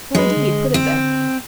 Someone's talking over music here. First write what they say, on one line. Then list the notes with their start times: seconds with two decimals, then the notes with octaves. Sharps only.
No idea you'd put it there.
0.15 F#3 G#3 B4
0.37 D3
0.74 C4